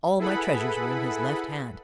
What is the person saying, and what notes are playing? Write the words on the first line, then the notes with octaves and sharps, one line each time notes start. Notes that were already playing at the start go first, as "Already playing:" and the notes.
All my treasures were in his left hand.
E4 G#4 A4 B4 F#5 B5